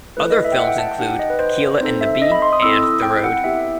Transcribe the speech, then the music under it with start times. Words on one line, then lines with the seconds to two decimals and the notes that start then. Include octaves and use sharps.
Other films include "Akeelah and the Bee" and "The Road".
0.17 A3 E4 A4 B4
0.30 D#5
0.45 E5
0.52 G5
0.58 F#5
0.68 G5
0.78 A5
0.89 G5
0.99 D#4 G4 F#5
1.19 D#5
1.30 B4
1.39 C5
1.81 C4 D#4 A4 C5
2.01 E5
2.22 D#5
2.32 B5
2.42 C6
2.53 D#6
2.62 C4 E4 A4 E6
2.83 D#6
3.03 G5
3.24 F#5
3.44 B3 E4 G4 E5